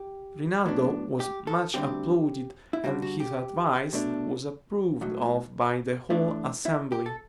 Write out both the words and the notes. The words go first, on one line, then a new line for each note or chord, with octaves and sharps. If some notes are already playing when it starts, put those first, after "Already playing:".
Rinaldo was much applauded, and his advice was approved of by the whole assembly.
Already playing: G4
A2 F#3 B3 D4
G4
A4
D2 D3 G3 C4 G4
E4
G2 D3 G3 F#4
F#4
G4
C2 B2 A3 D4
B1 A2 F#3
A2 E3 A3 D4
E4
G4
A4